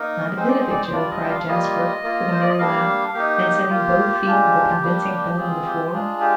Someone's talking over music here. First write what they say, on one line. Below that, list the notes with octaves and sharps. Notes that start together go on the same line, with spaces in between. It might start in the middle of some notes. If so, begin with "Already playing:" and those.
"Not a bit of it, Joe!" cried Jasper, with a merry laugh, and setting both feet with a convincing thud on the floor.
Already playing: A#3 D#4 A#4
G#3 C4 D#4 C5
D5
C5
D5
C5
G3 D4 F4 D5
D#5
G5
F5
G3 A#3 F4 D#5
A#3 F4
C5
D5
D#5
G3 A#3 D4 F5
A#3 D#4 G4
A#3 F4
G#3 D4 F4
G3 A#3 D4
G#3 C4 F4 G#4
G4
G#3 D4 F4 G#4
G4